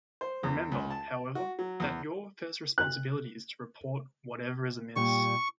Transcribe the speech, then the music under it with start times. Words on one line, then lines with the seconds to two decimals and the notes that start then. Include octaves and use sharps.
Remember, however, that your first responsibility is to "report" whatever is amiss.
0.21 C5
0.43 E2
0.72 C#2
0.90 A5
1.35 F#4
1.59 F#3
1.80 E2
2.78 F#6
4.96 A#2 G3 G4 C#6